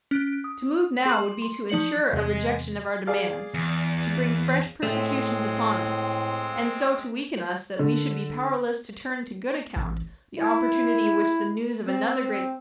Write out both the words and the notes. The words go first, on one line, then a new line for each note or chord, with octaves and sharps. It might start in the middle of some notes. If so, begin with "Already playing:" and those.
To move now would be to ensure a rejection of our demands, to bring fresh persecutions upon us, and so to weaken us that we should be powerless to turn to good account the opportunity which the news of another great victory would afford.
C#4 F#6 D7
D#6
G#4 C6 D6
C6
F3 D#4 D5 C#7 F#7
E2 C3 G#3
G#4 D5 F5
E2
A2 G#3 A3 C4
D3
A1
E4
C4